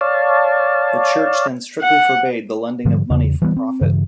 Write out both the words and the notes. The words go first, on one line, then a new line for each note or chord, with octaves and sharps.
The Church then strictly forbade the lending of money for profit.
C#5 D5 F5 A5
F#5
G#2 D3 F3 G3
E2 C#3
E3 G3 G#3 B3
C4
G2 C#3 E3